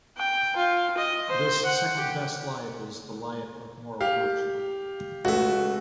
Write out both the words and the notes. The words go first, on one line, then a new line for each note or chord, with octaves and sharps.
This second best life is the life of moral virtue.
G5
F4
D#5
C5
F#5
G4
G4 F5
C#2 A3 F#4